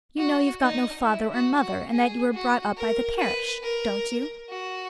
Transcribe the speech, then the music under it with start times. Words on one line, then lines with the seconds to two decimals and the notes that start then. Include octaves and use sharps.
'You know you've got no father or mother, and that you were brought up by the parish, don't you?'
0.17 F#4
0.61 D#4
1.04 E4
1.33 F#4
1.61 F#4
1.90 G#4
2.33 F#4
2.77 A#4
3.19 B4
3.63 A#4
4.50 F#4